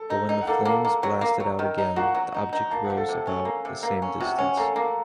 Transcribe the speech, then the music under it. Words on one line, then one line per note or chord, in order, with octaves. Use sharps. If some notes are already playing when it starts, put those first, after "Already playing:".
But when the flames blasted out again, the object rose about the same distance.
Already playing: A4 A5
D#4
D#4
F#5
A#3 A4 A5
A#3
A#3
F#3
A#3
F#3
D#3
D#4
A#3 F#4 F#5
F#3
D#4
D#4
A#3 A5
F#5
F3
A4 A5
C3
C#4
A#3
C3
A#3
C#4
C3 F#4 F#5
C#4
A#3 A4 A5
A#3